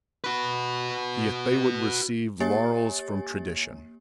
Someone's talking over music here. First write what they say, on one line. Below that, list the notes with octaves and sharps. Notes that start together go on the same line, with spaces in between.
Yet they would receive laurels from tradition.
F#4 B4
A#3 G4 C#5 G#5 A6